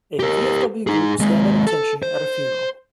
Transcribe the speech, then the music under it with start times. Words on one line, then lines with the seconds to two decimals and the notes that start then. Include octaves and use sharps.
A VFW group stand at attention at a funeral.
0.20 G4 A#4
0.87 D#4 G#4
1.19 D#2 G#3
1.67 A4
2.03 C5